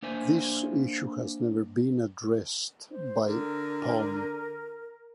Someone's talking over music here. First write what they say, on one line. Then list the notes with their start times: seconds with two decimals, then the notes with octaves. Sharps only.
This issue has never been addressed by Palm.
0.03 A#3 D4 C5 E5 G#5
2.90 C5
3.26 D3 A#4